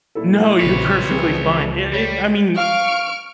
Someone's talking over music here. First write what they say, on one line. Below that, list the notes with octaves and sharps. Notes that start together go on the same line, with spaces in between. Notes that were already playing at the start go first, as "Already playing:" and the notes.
No, you're perfectly fine. Yea yea i I mean,
A#2 E4 A4
A#1 C#3 C4 B4 C#5
C#2 E3 F3 C4 G#4
G3 C#5
F5 C#6 F6 D7